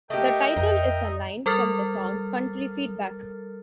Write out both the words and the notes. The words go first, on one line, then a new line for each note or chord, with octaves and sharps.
The title is a line from the song, Country Feedback.
A3 G4 A#4 D#5 E5 G5
F2 D#4
G3 A4 A#4 F6 A6